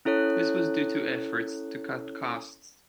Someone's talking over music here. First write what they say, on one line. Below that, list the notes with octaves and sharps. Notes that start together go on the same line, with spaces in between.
This was due to efforts to cut costs.
C#4 E4 A4 C#5 F#6